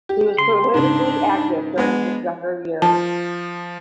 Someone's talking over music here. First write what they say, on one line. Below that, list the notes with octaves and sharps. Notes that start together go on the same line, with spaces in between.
He was politically active during his younger years.
G4
C#3 C6
G#2 C#3 D4
G#3 B3 D4
F3 A5